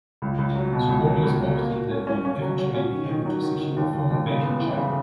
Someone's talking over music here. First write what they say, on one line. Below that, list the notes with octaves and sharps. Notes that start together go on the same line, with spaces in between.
Supporters hoped that they would eventually be able to secure a formal banking charter.
C#2
C#2
F#3
B2
C#2
F#3
C#2
F#3
A#3
F#4
C#4
C#4
C#4
F#3
F#3
C#4
D#3
D#3
F#3
D#3
D#3
D#2
D#2
D#2
C#3
B3
E3
C#3